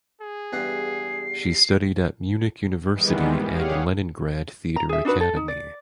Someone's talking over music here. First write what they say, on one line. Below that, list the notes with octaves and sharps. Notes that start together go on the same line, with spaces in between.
She studied at Munich University and Leningrad Theater Academy.
G#4
E2 G2 F#5 C7
D#3 E3 G3 G#3 B3
G4 G#4 C#5 F5 F#5
A#5
G#4 E5
D4 D#4 F#4 B4
A4
D#4
D5